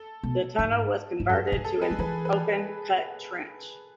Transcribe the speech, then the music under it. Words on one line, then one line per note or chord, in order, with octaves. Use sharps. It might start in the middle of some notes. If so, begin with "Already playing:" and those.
The tunnel was converted to an open cut trench.
Already playing: A4
B2
G#2
G#2
F#2 A4
G#4
G#2
A4
G#4 B4
F#3
E3 G#4 B4
B4